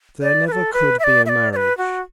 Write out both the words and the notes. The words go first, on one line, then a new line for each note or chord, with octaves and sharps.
There never could be a marriage.
D5
B4
A4
B4
E5
D5
E5
D5
D5
B4
F#4